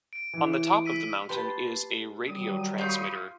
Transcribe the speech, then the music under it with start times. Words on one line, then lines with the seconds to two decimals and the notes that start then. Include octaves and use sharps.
On the top of the mountain is a radio transmitter.
0.13 D7
0.33 E3 E4
0.86 E6 B6 D#7
1.29 G4 B4 A5 C6
2.27 D#3 F#3 G3 D#6
2.78 F4 B5 C#6 D#6 G6